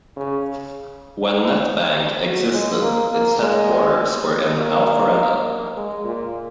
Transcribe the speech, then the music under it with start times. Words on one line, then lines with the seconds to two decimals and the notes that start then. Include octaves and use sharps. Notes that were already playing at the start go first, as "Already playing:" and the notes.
When NetBank existed, its headquarters were in Alpharetta.
0.16 C#3
2.22 F#3
2.51 G#3
2.81 A#3
3.10 A#3
3.40 G#3
4.57 A#3
5.75 G#3
6.04 A#2